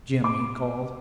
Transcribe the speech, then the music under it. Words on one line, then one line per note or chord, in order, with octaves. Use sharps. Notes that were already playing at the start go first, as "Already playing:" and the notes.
Jim!' he called.
D6